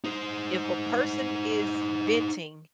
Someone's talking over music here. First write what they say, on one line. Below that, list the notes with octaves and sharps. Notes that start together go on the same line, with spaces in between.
If a person is venting,
D#4 C5